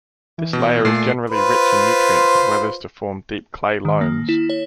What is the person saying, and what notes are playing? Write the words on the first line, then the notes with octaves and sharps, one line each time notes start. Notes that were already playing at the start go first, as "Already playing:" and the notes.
This layer is generally rich in nutrients and weathers to form deep clay loams.
E3
B2
A#2 A3 C7
F4 B4 C5
D#3
A#3
E4
C#5